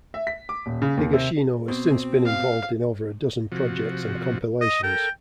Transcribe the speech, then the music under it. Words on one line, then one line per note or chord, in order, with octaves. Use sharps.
Higashino has since been involved in over a dozen projects and compilations.
E5
B6
D6
D#1
C#3
D#2
C3
B2 C4
F5
C3 F3 F#4
D#5
A4 A#4 G5